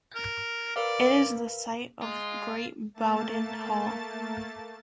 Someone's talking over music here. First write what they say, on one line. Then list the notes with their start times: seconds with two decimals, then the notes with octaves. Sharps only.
It is the site of Great Bowden Hall.
0.15 A#4
0.76 A#4 B4 D5 F5
2.02 G#3 F4
2.94 A3 A#3 A5 A6